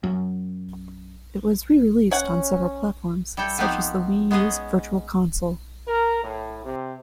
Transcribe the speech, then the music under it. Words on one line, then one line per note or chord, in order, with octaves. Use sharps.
It was re-released on several platforms, such as the Wii U's Virtual Console.
F#2
C#4 C#5 F#5
G3 E4 A4 G5
F3 B3 C4 D#4 G4 F5
G#3 B3 C#4 G#4 D#5
A#4
A2
C3